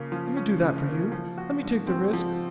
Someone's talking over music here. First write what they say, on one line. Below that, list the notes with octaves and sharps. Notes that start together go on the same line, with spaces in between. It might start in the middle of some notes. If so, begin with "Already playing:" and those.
Let me do that for you--let me take the risk.
Already playing: C#3 F3 A#3 C#4
F3
C#4
C#3
A#3
F3
F#4
G#2
C4
F3